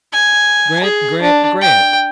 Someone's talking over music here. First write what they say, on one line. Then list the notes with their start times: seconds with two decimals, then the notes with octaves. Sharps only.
Grant, Grant, Grant!
0.13 G#5
0.84 G#4
1.22 D4
1.62 G5